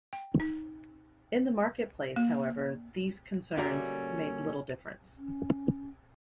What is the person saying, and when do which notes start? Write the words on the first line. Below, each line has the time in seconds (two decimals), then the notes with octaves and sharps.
In the marketplace, however, these concerns made little difference.
0.13 G5
0.40 D#4
2.16 A#3
3.57 D3 G3 A#3 C#4 F#4 E5 A#5
5.17 C#4